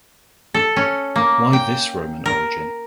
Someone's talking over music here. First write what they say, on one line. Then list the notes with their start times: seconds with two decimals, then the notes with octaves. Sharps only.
Why this Roman origin?
0.54 A4
0.76 C#4
1.16 A#3
1.53 G5
2.26 A#4